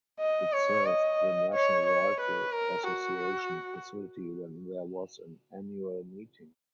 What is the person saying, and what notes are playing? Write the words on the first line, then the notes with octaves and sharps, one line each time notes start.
It served the National Rifle Association facility when there was an annual meeting.
D#5
C#5
D#5
C#5
C#5
B4
A#4
F#4